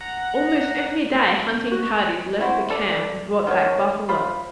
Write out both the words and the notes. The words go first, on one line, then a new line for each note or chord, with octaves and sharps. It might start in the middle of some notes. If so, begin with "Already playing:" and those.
Almost every day hunting parties left the camp and brought back buffaloes.
F#5 A#5
F#4
C4 E4 F#4 C5
A4 D5
D#3 F#3 C#4 C#5
F4 C5 B5